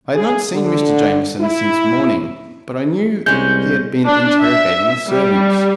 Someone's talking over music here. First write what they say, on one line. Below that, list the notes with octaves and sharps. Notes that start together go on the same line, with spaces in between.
I had not seen Mr. Jamieson since morning, but I knew he had been interrogating the servants.
G#4
D3
E4
C2 G#3 C#4 G6
D4
E5
G3